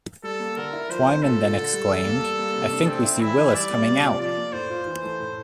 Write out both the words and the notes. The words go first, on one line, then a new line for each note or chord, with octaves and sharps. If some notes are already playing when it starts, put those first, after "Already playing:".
Twyman then exclaimed: I think we see Willis coming out!
G3 A4
A#3
D3 A#4
E4
F3 C5
C4
A#2 A4
A#2
D3
G3
E2
A#3
G3
A#3
C3
D4
A3 C4
E4
E3 E4
E3
G3 D5
A#3
C3
F4
F3 D5
A#3
A2 C5
F4
E3
A3
A2